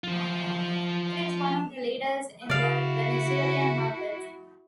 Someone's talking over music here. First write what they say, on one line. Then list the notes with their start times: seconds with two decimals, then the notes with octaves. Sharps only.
It is one of the leaders in the Venezuelan market.
0.04 F3 F4 C5
2.50 C#3 E4 F#4 D5 F5